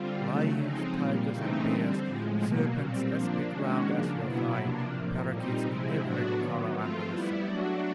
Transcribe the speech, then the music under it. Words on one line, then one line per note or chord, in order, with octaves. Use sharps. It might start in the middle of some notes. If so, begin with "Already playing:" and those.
Lions, tigers, and bears, serpents as big round as your thigh, parrakeets of every color under the sun.
Already playing: D3 G3 C4 F4
C#3 F#3 A3
F3 G#3 C4 D#4
A#2 G3 A#3
C#3 E3 A3 C4 D#4
D3 G3 C4
A2 F3 G#3
B2 F#3 A#3
A#2 G3 C4
F3 A#3 D4
D#3 G#3 C#4 F#4
C#3 F3 A#3 D4
B2 F#3 B3 E4
C3 F3 A#3 D4
A2 F3 A#3
A#2 G3 C4 D#4
C3 F3 G#3 C4 E4
A2 F#3 B3 D4 F#4
D#3 F#3 B3
F3 A3 C4 F4
G3 B3 E4
F#3 A3 D4 F#4